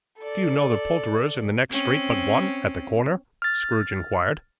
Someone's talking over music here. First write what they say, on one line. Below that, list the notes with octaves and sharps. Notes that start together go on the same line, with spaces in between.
'Do you know the poulterer's in the next street but one, at the corner?' Scrooge inquired.
A4 D5
C4 C#4
F6 A6